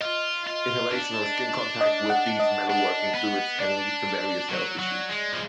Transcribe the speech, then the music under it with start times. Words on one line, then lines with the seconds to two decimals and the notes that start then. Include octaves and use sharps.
Inhalation or skin contact with these metalworking fluids can lead to various health issues.
0.01 F4 D#5
0.47 F4
0.90 D4
1.81 D#5
2.10 F#5
2.40 D#5
2.69 D4
3.15 B3
3.60 D4 D5
4.49 F#3
4.79 F#3
5.09 G#3
5.32 F3